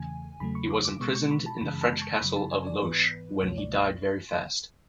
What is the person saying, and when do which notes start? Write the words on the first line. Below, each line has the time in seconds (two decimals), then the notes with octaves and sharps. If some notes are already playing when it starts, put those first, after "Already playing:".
He was imprisoned in the French castle of Loches when he died very fast.
Already playing: E2 C#3 E3 A3 G#5
0.40 E2 C#3 F#3 A3 B5
0.55 C#6
0.70 D6
0.85 D6
1.00 B2 G#3 B3 C#6
1.15 C#6
1.31 B5
1.46 A5
1.61 F#2 C#3 E3 G#3 B5
1.81 A5
2.02 C#6
2.21 F#2 C#3 F#3 B5
2.36 A5
2.51 G#5
2.67 D5
2.82 G#2 E3 B3 B4
3.41 C#2 B2 A3 C#5
3.58 D5
3.73 E5